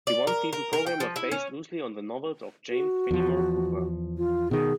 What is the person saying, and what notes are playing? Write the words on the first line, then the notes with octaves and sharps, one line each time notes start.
The one-season program was based loosely on the novels of James Fenimore Cooper.
D5
A#4
A#4
A#4
G5
F3
E4
C#4
F#4
E2 F3
F4
B2 D#3 G#4